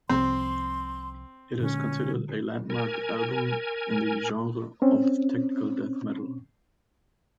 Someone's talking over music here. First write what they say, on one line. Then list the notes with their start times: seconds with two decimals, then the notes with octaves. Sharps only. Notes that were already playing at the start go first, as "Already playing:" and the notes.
It is considered a landmark album in the genre of technical death metal.
0.09 C2 C3 F3 C4 C6
1.60 A#2 D3 G#3 C#4
2.70 A#4 G#5
4.82 C4 C#4